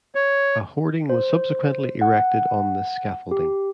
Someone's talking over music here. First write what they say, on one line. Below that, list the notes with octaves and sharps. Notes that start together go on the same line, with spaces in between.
A hoarding was subsequently erected on this scaffolding.
C#5
C5
F#5
G4